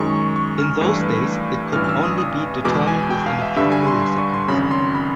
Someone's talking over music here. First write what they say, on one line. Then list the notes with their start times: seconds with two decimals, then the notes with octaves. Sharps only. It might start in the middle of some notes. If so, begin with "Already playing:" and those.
In those days it could only be determined within a few milliseconds.
Already playing: F#2 D#3 G#3 C#6
0.20 C#6
0.36 C#6
0.58 F6
0.81 G2 E3 A3
1.72 A1 G2 E3 F6
1.84 F6
1.89 E6
2.03 D#6
2.18 D#6
2.64 E2 B2 G#3 D6
2.87 G#5
3.10 G5
3.26 F5
3.42 E5
3.56 G2 D3 G3 E5
3.72 G#5
3.87 C6
4.02 C6
4.18 C#6
4.34 C6
4.48 G#1 F#2 C#3 B5
4.71 C6
4.95 B5